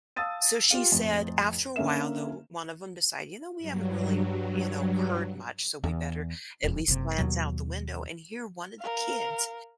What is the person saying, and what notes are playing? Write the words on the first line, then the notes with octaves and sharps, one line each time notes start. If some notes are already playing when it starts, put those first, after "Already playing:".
so, she said after a while though, one of ‘em decided, you know, we haven't really, you know, heard much, so, we better at least glance out the window, and here one of the kids
F5 A5 D#6 E6 A6 D#7
F4 G4 F5
F2 A2
D3 A#3 C#4 E5 E7
G2 F#3
E2
E1 F2
F#1 C3
D#2 B2 F#3
A#4 F5